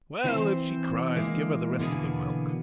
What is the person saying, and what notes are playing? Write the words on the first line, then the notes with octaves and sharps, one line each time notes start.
"Well, if she cries, give her the rest of the milk."
E3 C4 C5
E3 G#3 A#3
B2 D3 E3 A#3 B3 G#4